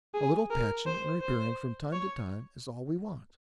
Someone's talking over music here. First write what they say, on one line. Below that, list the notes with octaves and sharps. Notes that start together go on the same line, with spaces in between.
A little patching and repairing from time to time is all we want.
G#4
A#4
C5
C5
C#5